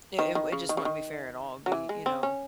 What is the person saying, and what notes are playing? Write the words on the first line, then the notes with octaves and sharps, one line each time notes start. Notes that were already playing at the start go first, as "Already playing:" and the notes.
It it w it just wouldn't be fair at all. It'd be, you know,
D#3
D#3
C#3
D#3
C#3
D#3
F#3
E3
G#3
C4
C#4